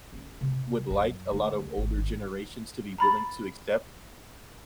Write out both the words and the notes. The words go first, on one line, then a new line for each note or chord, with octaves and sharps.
would like a lot of older generations to be willing to accept.
C#4
C3
F#2
D2
G#1
A#5 B5 A6